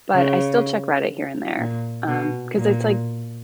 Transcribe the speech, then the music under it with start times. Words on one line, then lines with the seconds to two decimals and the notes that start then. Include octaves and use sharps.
but, I still check Reddit here and there, um, 'cause it's, like,
0.14 C#3
1.58 A#2
2.07 B2
2.56 A#2